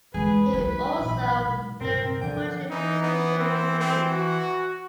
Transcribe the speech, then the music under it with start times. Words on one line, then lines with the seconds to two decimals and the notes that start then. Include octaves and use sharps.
He also learned poetry presentation from him.
0.14 E2 D#3 G#3 G#4 B4
0.53 F#3 D#4 B5
0.99 A1 A#2
1.46 B2 G#3
1.80 D#1 G2 C3 C4 A#4
2.22 D3 D#3 F3 B3 G5
2.70 E3 D#4
3.03 B3
3.39 C4
3.79 C4
4.11 F#4